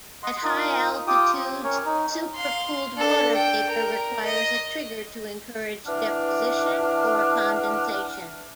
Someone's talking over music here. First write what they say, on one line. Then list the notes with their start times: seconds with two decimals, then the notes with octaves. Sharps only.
At high altitudes, supercooled water vapor requires a trigger to encourage deposition or condensation.
0.23 D#5 F#5 C6
0.43 D#4 F4 A#4 D#6
1.07 F4 G4 G5 D#6
1.36 C4
1.64 C#4 A#4 C#5
1.85 D#4
2.35 F5 C6
2.96 D4 A4
3.35 G5
3.69 A#4
4.25 D#5
5.87 E3 D4 F#5 D6 F6